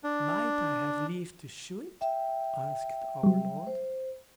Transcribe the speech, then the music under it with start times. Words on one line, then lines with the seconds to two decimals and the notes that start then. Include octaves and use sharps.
'Might I have leave to shoe it?' asked our Lord.
0.04 D4
2.01 E5 G5
3.23 F#3 G3
3.67 C5